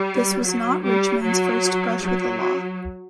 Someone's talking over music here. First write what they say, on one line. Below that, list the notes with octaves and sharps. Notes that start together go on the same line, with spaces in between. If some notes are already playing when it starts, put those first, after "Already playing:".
This was not Richmond's first brush with the law.
Already playing: G3
F#3
G3
F#3
F#3